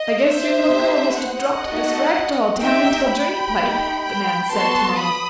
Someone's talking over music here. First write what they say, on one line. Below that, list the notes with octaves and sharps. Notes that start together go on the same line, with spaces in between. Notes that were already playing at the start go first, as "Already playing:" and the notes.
"I guess your little girl must have dropped this rag doll down into the drain pipe!" the man said to Mama.
Already playing: D#5
C5 E5
A3 D#4 G4
D#5 F#5
A3 D#4 F#4 A4
D#4 G4 E5 G5
G5 B5
A3 D#4 G4
G5 B5
B3 F#4 A4 A5 C6
B5 D#6